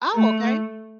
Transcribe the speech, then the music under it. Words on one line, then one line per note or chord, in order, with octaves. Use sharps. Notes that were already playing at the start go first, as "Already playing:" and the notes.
Oh, okay,
A3